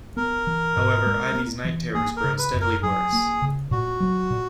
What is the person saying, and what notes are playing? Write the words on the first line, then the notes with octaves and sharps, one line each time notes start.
However, Ivy's night terrors grow steadily worse.
B3 A#4
E3
G#2
G#3
B3
E3
A#3 G#4
A#4
C#3
B4
F#2
A#4
F#3 G#4
A#3
C#3
A#2 F#4
F#3
A#2